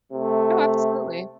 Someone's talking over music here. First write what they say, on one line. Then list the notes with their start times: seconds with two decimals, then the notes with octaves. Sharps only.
Oh, absolutely.
0.12 C3 A3